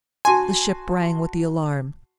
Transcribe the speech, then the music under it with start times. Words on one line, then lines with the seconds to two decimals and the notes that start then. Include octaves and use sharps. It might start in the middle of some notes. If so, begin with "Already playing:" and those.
The ship rang with the alarm.
0.25 F#4 G#5 A5 C6